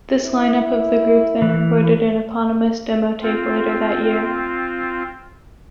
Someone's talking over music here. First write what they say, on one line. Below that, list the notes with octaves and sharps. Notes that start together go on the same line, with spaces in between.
This line-up of the group then recorded an eponymous demo tape later that year.
E4
E3
C4 F4